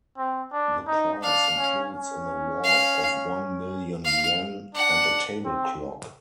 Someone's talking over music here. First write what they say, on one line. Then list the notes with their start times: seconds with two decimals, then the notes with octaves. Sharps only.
The prize includes an award of one million yen and a table clock.
0.17 C4
0.52 D4
0.87 D#4
1.22 D4 F5
1.58 C#4
1.92 C#4
2.64 F5
4.04 F5
4.74 D4 F#5
5.45 C4